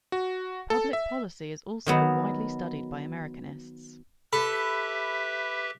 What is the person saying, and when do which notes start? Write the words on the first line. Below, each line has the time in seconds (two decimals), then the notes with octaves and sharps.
Public policy is also widely studied by Americanists.
0.12 F#4
0.70 A4
0.93 E5
1.86 D#3 F#3 B3
4.33 G4 A4 B4 E5 B5